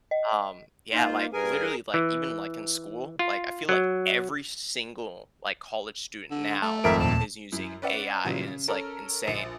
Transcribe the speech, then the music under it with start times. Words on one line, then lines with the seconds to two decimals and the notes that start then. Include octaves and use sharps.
um, yeah, like, literally, like, even, like, in school, like, I feel, like every single, like, college student now is using AI and it's, like, insane,
0.11 D#5
0.93 A#3 D#4 F4 C5
1.33 G2 G#4 A#4 B4 G#5
1.94 E3
3.19 F4
3.69 F#3
6.31 D3
6.62 A3 A5
6.84 G#1 F2 A#4 E5 A#5 F6 D7
6.99 D#2 A#2 A5
7.52 F#2 E4
7.82 C#4 B4 D5 E5 F#5
8.25 A#2 C#3 E3 F#3 G3
8.47 C#3
8.68 C#4 A4 A#4
9.28 A#1